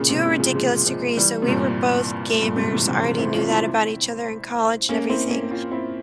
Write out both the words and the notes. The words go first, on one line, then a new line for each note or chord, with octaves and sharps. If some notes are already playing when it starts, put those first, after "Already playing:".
to a ridiculous degree, so we were both gamers, already knew that about each other in college and everything.
Already playing: A#2 C#3
G#2 C3
A#2 C#3
C#3 F3
F3 G#3
F3 G#3
E3 G3
C3
G2 A#2
G2 A#2
G#2 C3
C3 E3
C3 E3
C#3 F3
C4 E4
C#4 F4
C4 E4
A#3 C#4
C4 E4
A#3 C#4
C#4 F4
C4 E4